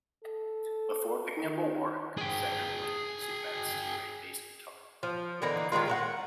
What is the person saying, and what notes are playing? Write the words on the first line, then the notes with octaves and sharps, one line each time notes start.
Before picking up a Warwick, Zender played a Music Man Stingray bass guitar.
A4
D#3
G#4 G5
F3
D3 E3 A#3 D#4
D#3 E3 G#3 F4
A#4 C5 F#5